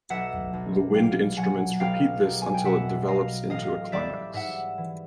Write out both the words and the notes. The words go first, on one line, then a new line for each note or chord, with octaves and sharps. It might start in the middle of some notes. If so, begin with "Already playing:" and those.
The wind instruments repeat this until it develops into a climax.
B1 E5 F#5
B1
A#2 F5 G5
F#3 F#5 G#5
B1 F5 G5
B1
G#5
G5
B2 E5 F#5
G3 D#5 F5
A1 D#5 F5
G3 D5 E5
G#2 E5 F#5
E3